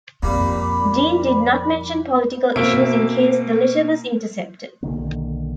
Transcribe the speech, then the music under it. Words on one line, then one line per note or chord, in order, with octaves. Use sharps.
Deane did not mention political issues in case the letter was intercepted.
F2 A#2 G3 B5
B2 A#3 C4 E5 E6 D7
B1 D3 D#3 A#3